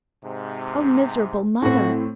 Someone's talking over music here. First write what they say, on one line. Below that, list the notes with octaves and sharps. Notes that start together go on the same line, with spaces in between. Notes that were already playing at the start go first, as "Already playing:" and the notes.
'O miserable mother!
G#2 C3
A2 E3 A3 C4 F#4